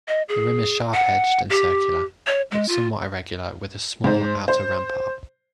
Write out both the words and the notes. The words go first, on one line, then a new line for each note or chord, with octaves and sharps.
The rim is sharp-edged and circular, but somewhat irregular with a small outer rampart.
D#5
G#4
F#5
G4
C#5
G#3
F4
G#2 C5
C5